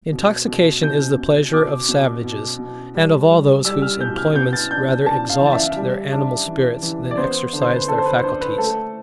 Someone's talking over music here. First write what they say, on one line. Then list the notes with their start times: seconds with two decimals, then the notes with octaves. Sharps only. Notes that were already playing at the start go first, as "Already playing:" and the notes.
Intoxication is the pleasure of savages, and of all those whose employments rather exhaust their animal spirits than exercise their faculties.
0.12 B2
0.47 B2
0.82 B2 G6
1.18 B2
1.53 B2 D6
1.89 B2
2.24 B2
2.59 B2
2.95 G3
3.30 G3
3.65 G3 E6
3.82 F6
4.00 B2 G6
4.18 F6
4.35 B3 G6
4.53 A6
4.71 D4 G6
5.06 D4 A5
5.30 F5
5.41 E3
5.47 D5
5.53 E5
5.76 G3
6.12 D4
6.47 E3
6.82 E3
7.11 D5
7.18 B3 C5
7.53 D3
7.62 C5
7.75 B4
7.88 D4 A4
7.99 C5
8.06 B4
8.23 D4 C5
8.41 B4
8.58 A3 A4